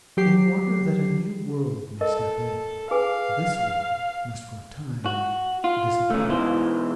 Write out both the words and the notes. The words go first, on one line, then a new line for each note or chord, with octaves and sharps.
In order that a new world may step in, this world must for a time disappear.
F#3 G4 C7
A4 A#4 D#5
G#4 B4 F5 G#5
F#4
F4
A3 C#4
G#2 B2 E3 C5